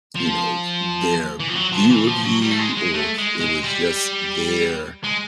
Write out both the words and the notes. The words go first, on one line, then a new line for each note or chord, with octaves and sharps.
you knows, their view of you? Or it was just their,
F3
E3
F3
F#3
F3
E3
F3
F#3
G3
A3
G#3
G#3
A3
G#3
G#3
G3
G#3